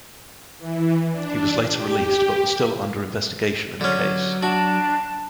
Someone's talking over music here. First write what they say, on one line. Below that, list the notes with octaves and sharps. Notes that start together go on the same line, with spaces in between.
He was later released but was still under investigation in the case.
E3
D4
G4
D3 F#3 C#4
D4 F#4 A5